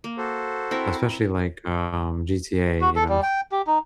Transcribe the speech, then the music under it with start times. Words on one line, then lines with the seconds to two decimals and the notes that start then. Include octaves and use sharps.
especially like, um, GTA, you know,
0.04 A#3
0.18 F#4 A4 C5
0.71 C4 E4 A#4
2.81 F#4
2.96 A4
3.09 G3
3.23 G5
3.52 G4
3.67 D#4